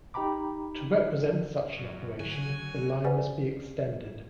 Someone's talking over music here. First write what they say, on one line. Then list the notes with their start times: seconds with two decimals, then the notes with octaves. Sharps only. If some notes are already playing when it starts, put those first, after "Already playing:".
To represent such an operation, the line must be extended.
0.14 D#4 G4 G5 A#5 B5 D6
1.77 F#2
2.20 D3 F#3 G#5
3.04 G#4 B4 C5 D5 F#5 G#5